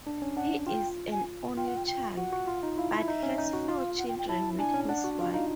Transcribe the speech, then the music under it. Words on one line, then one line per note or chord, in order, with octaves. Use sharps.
He is an only child, but has four children with his wife.
D4
C#4
D4 F#5
F4 G5
G#5
F4 G5
F#5
G5
G5
F#4 F#5
F#4
F4
D#4
E4 F5
E4 E5
D#4
C#4
D#4
F#4
F4 F5
F#5
G5
G5
E4 A5
D4 G#5
C#4
D4 F#5
F#4
F4 F5
D#4 F5